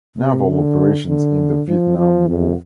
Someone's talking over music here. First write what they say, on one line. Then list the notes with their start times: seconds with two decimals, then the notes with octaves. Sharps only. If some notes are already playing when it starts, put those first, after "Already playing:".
Naval operations in the Vietnam War.
0.19 C3
0.48 D3
1.08 D3
1.68 F3
1.98 F3
2.28 F2